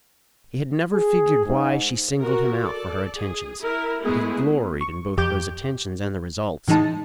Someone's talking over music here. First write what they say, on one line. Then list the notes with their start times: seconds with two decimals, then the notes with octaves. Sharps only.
He had never figured why she singled him out for her attentions, but he gloried in both those attentions and the results.
0.93 G#4
1.46 G#2
2.18 F#4 A#4
2.62 A4 D5
3.16 G#4
3.61 E4 A#4
4.03 G#3 A3 B3 E4 G#4
4.81 C#6
5.17 F2 G4 D6 G6
6.68 A2 E3 G#3 D#4 A5